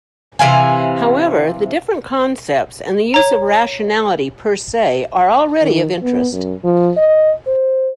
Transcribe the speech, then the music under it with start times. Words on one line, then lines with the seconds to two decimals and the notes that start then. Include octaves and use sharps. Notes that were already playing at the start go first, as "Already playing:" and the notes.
However, the different concepts and use of 'rationality' per se are already of interest.
0.39 C3 E3 F5 G#5
3.14 C#5 A#5
5.62 D#3
6.03 B3
6.33 F#2
6.64 F3
6.97 D#5
7.47 C5